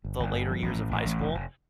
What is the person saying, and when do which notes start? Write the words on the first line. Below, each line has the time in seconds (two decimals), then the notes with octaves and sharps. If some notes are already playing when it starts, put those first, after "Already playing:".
the later years of high school,
0.05 G1
0.19 G1
0.34 G2
0.48 F3
0.62 A1
0.76 A2
0.91 A1
1.05 A1
1.19 F1
1.34 F1